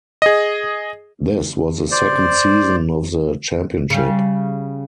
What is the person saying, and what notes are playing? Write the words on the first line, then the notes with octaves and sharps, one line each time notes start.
This was the second season of the championship.
G#4 D#5
C5 D5
C#3 G3